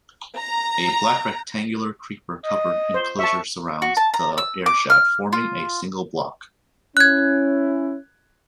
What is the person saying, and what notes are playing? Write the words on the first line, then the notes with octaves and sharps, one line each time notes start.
A black rectangular creeper-covered enclosure surrounds the air shaft, forming a single block.
A#5
D#5
C5
E5 A5 C#6
F#4
A5
A#5
E6
D6
F6
F4
C#4 E4 F#6 G#6